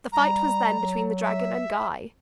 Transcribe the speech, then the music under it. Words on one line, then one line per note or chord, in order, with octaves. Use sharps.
The fight was then between the dragon and Guy.
G3 A#5
F#3
E5